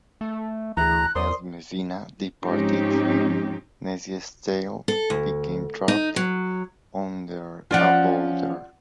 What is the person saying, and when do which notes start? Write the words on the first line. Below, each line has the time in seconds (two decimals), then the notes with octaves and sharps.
As Messina departed, Nessie's tail became trapped under a boulder.
0.21 A3
0.77 D2 E3 E4 G#4 A#5 F#6
1.16 E2 A#4 C5 D5 C6 D#6
2.45 G#2 F3 C4 C#4 D#4 G4
4.88 A4
5.10 D2
5.88 D#4
6.16 F#3
7.71 F3 C#4 F4 D5 F#5